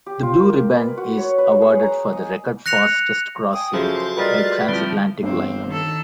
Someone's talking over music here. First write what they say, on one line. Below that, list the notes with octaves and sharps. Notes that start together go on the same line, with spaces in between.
The Blue Riband is awarded for the record fastest crossing by transatlantic liner.
G4
F4
A#4
B4
F#4
C#5
B4
G#4
A#5
D#5
F#6 A#6 C#7 F7
G5 G#5 D#6
F#2 C#3 F3 F#4 G#4 A4 C5
G3 F4 A#4 B4 D5 D#5
A2 D3 F3 G3 C4
G1 C4
D#3 A4